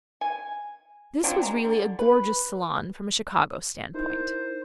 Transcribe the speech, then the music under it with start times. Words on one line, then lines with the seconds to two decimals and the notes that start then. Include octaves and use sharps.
This was really a gorgeous saloon from a Chicago standpoint.
0.21 G#5
1.23 F3 F#3 C4 D4
1.43 G#3 A#5
1.65 D3
1.99 B4
3.94 D#4 E4 A#4 C5